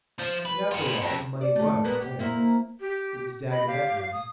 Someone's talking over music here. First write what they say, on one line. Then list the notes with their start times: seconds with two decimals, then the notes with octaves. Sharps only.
And after all, the money was Clare's--it was Dagonet money.
0.19 F3
0.45 B4
0.72 B3 F4
1.02 F2
1.41 D5
1.56 F2 A3
1.84 G#3 A#3 B3
2.02 G4
2.19 A#3 E4 C5
2.80 G4
3.50 D#5 B5
3.67 G4 F5
4.13 D#6